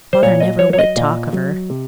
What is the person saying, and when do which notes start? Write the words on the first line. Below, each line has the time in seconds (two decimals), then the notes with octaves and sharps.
Father never would talk of her.
0.13 C5
0.23 A#2 C#5
0.40 D#5
0.59 F#3 C#5
0.73 C#5
0.79 D#5
0.96 A#2
1.33 F#3
1.70 C3